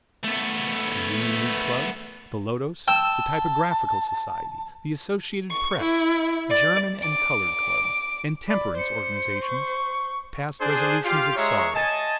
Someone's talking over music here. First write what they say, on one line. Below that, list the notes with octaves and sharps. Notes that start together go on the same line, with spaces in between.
The Union League Club, the Lotos, the Typographical Society, the Associated Press, German and colored clubs, and temperance organizations passed resolutions of sorrow.
A3 B3
G5 A5 E6
C#6
E4
D5
D6
D5 B5
C5 C#7
C#6
D4 G#4 C5
F4 G4 F5
G#3 C#5 E5 A#5 C6 C#6
D#5 G#5 A5